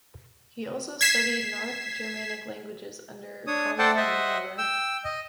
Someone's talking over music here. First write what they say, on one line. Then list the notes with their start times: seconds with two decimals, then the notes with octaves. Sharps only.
He also studied North Germanic languages under Konrad Maurer.
1.01 G#6 B6 C7 E7
3.47 D4 C#5 D#6
3.79 A4 C5 D5 F#5 G5 A5
3.97 C5 D#5 E5 F#5
4.58 G5 E6
5.05 D#5